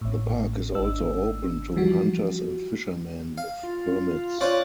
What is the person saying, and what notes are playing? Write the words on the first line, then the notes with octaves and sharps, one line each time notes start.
The park is also open to hunters and fishermen with permits.
A1 A2
G#1 D4 E6
E3 F3 G3 F#4
F5
F4
C#4 F4 C5 D5 F#6 A6